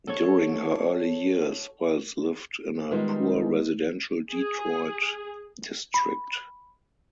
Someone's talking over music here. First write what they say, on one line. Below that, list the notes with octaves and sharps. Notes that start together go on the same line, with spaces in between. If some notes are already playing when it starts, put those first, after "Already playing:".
During her early years, Wells lived in a poor residential Detroit district.
A4 C#5
D#3 G3 G#3 B3 D#4 F4
G#4
B5